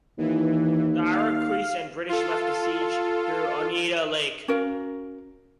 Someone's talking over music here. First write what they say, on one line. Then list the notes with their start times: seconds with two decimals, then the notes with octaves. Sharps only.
The Iroquois and British left the siege through Oneida Lake.
0.18 D#2 E3
1.09 F5
2.09 F4 A4
4.48 C#4 F#4 A#4 F5